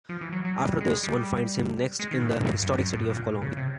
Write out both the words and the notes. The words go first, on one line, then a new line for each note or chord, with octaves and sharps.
After this, one finds him next in the historic city of Cologne.
F3
E3
F#3
F#3
G3
G#3
G3
G#3
D#3
A2
G2
F#2
F#2
A2
A#2
C#3
C3